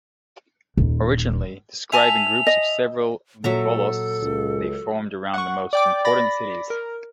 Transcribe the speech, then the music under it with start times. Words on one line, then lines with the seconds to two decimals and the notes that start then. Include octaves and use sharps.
Originally describing groups of several volosts, they formed around the most important cities.
0.77 D#1 D#4
1.92 E5 G#5 A5 F7
2.47 D#5
3.44 A#2 F#3 A4 E5 A#5
4.20 C#2
5.34 F#5 C#6
5.73 D5 G5 D6
6.05 D5 B5 A6 A#6
6.70 A#4